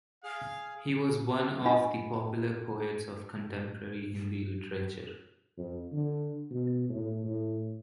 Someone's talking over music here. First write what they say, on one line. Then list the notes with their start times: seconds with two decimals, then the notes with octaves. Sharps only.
He was one of the popular poets of contemporary Hindi literature.
0.24 G#4 F5
1.65 D4 F4 D#5 F#5 G#5 B5
5.58 F2
5.92 D3
6.51 B2
6.89 A2
7.24 A2